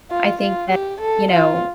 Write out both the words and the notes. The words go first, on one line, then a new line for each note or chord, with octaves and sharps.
I think that, you know,
F4
F4
G4
A4
F4